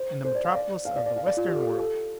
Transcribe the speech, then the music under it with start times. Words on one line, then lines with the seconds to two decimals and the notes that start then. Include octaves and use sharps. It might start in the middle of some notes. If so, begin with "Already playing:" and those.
In the metropolis of the western world!
Already playing: C5
0.25 C5
0.35 D5
0.45 F5
0.55 D5
0.85 F5
0.96 D5
1.06 D5
1.16 F5
1.26 D5
1.37 F4
1.47 G4
1.54 A4
1.62 G4
1.78 A4